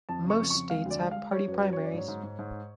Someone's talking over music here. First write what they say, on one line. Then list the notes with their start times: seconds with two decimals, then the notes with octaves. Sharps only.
Most states have party primaries.
0.09 F2 A5
0.24 C#3
0.30 C#6
0.39 F2
0.50 F2 C#6
0.70 G#3 F5
0.85 D2
0.91 D5
1.01 G#3
1.11 F5
1.16 G#3
1.32 F#3 C#5
1.47 F#2 C#5
1.52 B4
1.62 F#3
1.73 C#5
1.78 F#2
1.85 D5
1.93 G#2 C#5
2.08 G#2
2.24 G#2
2.39 G#2